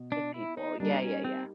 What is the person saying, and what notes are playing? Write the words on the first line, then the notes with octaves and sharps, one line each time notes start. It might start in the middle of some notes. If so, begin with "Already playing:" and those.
The people. Yeah, yeah, yeah
Already playing: B2
D4
E4
D#4
G3 A#3 D4 D#4
C#4
C4